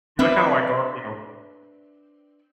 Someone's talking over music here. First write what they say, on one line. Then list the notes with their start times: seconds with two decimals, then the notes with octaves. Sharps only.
They're kinda like Garfield.
0.19 C4 D4 B4 E5